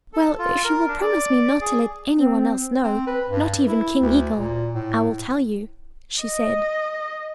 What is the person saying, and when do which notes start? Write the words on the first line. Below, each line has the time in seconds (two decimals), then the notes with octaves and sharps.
"Well, if you will promise me not to let any one else know, not even King Eagle, I will tell you," she said.
0.13 A4
0.39 F4
0.64 A#4
0.88 D4
1.01 D5
1.61 G#4
2.20 C4
2.84 C4
3.07 B4
3.29 G2
3.68 E4
4.01 D2
4.37 A#2
4.75 A2
6.22 D#5